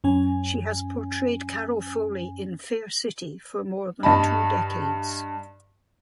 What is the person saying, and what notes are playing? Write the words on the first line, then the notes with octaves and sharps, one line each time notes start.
She has portrayed Carol Foley in "Fair City" for more than two decades.
F#2 C#4 G#5
G2 D#5 A5 B5